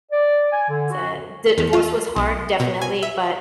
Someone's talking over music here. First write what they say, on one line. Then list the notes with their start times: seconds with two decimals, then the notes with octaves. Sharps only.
So, the divorce was hard, definitely, but
0.11 D5
0.52 G#5
0.68 D3
0.91 F#4
1.58 E2
1.73 F4
2.16 B1
2.60 B2
2.81 G#5
3.03 E5